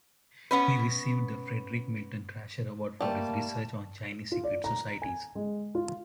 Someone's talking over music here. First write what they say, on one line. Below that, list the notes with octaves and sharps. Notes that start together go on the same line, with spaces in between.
He received the Frederic Milton Thrasher Award for his research on Chinese secret societies.
B3 C#4 B4
G3 A3 A#3 A5
F4
D5
A#5
G#5
G#3
F4